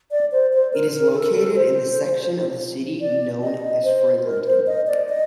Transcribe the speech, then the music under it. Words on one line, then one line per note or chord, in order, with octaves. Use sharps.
It is located in the section of the city known as Franklinton.
D5
C5
C5
A#4
A#4
A4
A4
C5
D5
D#5
C5
A#4
C5
D#5
D5
D#5